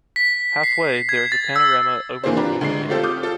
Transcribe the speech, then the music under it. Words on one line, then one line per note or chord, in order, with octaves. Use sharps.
Halfway, there is a panorama overlooking the Main.
B6
C7
G#6
A6
E6
G2 E3 A#3 C4 G#4 C5
D4 F4 G4 B4 A#5
D2 G#3 D4 C7
A3 C4 F4 G4 A4 C5
D6 D#6 F6 G6
F4 A4